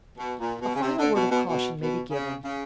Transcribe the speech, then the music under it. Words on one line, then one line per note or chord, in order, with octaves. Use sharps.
A final word of caution may be given.
B2
A#2
B2
C#3
C3
D3
B2
B2
B2
B2
C#3
C#3